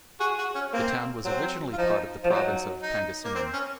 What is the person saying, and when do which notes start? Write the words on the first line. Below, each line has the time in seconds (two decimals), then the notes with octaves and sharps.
The town was originally part of the province of Pangasinan.
0.20 F#4 G#4
0.38 F#4
0.55 C#4
0.73 A#3 C4
1.25 F#3 C4
1.72 F4
1.78 F3 D#4
2.24 F3
2.30 F#3 D#4
2.83 D#4
3.24 A#3
3.35 C4
3.53 C#4